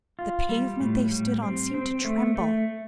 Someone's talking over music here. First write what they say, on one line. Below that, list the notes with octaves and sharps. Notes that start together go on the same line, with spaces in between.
The pavement they stood on seemed to tremble.
F4
G3
A2
G3
C4
C4
A3
A3